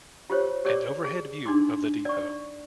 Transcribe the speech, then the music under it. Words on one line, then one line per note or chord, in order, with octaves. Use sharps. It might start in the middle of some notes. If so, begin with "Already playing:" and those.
An overhead view of the depot.
F4 G4 C5 C#5
G4 C#5 D5 D6
G#4
D4 D#4 C6 D6
D5 C#6